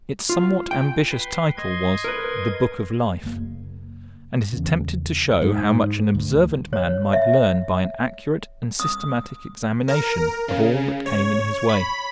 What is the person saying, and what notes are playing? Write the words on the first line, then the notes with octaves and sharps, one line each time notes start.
Its somewhat ambitious title was "The Book of Life," and it attempted to show how much an observant man might learn by an accurate and systematic examination of all that came in his way.
F4
G5
B4 C6
D#5 C6 G#6
A#4 B4
F#1 A#3
E2 C#3
G#2
D2
C#5
E5
D#6
A#4
C#3
C#5
B5